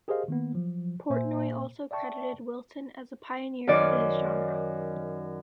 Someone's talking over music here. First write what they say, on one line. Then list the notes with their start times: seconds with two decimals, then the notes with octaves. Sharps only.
Portnoy also credited Wilson as "a pioneer of his genre".
0.08 G4 G#4 A#4 C5 D#5 F5
0.28 D#3 A#3 B3
0.53 F3 F#3
1.10 A#2 A#3 C5 E5 G#5
1.91 D5 E5 G5 A5 C#6
3.67 F#2 D#3 D5